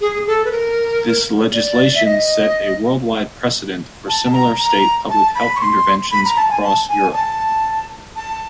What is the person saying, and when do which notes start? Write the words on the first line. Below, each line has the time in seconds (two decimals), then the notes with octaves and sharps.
This legislation set a worldwide precedent for similar state public health interventions across Europe.
0.01 G#4
0.27 A4
0.45 B4
0.52 A#4
1.54 D5
1.95 E5
2.04 D#5
4.08 A5
4.33 A#5
4.59 A#5
5.10 A5
5.35 B5
5.56 C#6
5.60 C6
6.12 B5
6.25 A#5
6.37 A5
6.50 G#5
6.63 A5
6.89 G#5
7.13 A5
8.16 A5